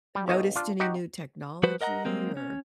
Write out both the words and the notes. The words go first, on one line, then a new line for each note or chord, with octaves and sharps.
noticed any new technology or
G3
B1 C#5 D#5
D4 F4
D#4 F#4 G4
F3 F#4 B4 C5
A#4 D#5 F#5 A5 A#5
F#3 G#3 A#3 C4
C#4